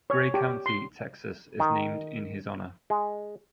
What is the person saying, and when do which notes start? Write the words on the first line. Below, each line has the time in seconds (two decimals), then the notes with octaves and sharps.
Gray County, Texas, is named in his honor.
0.10 C#5
0.34 G4
0.66 C6
1.60 D#3
2.90 G#3